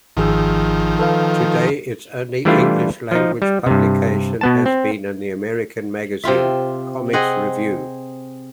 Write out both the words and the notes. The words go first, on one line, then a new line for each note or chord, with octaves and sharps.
To date its only English-language publication has been in the American magazine "Comics Revue".
G#1 D#3 F3 G#4 E6
A4 B4 F5
E3 G3 A3 D4 E4 F4
F3 D#4
G3
G2 C3
B2 B3 A5
C4
C3 C4 F4 E5
C4 G#4 D#5 F#5